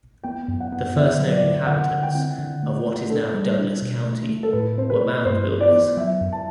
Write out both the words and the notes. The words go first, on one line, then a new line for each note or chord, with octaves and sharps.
The first-known inhabitants of what is now Douglas County were Mound Builders.
B3 G5
F#2
F#5
B3
D3 E5
F#3
D5
D3
D3 F#5
D3
G5
C4
D3
A3
A3
D4 A4
G3
D4
B2
A3
A3
A4
A2 B4
C4 C5
B4
A3
G2 C5
B3
D5
B3
F#3 E5
F#2
A5